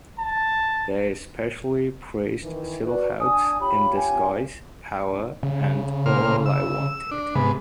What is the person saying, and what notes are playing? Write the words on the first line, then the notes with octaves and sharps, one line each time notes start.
They especially praised "Silhouettes in Disguise," "Power", and "All I Wanted".
A5
D#3 E3
F#4 B4 D5
D4 G#5 D#6
F4 G4 C#5 B5
G#5
C#3
A#2 C5 F6
E6
D4
G#2 C3 B3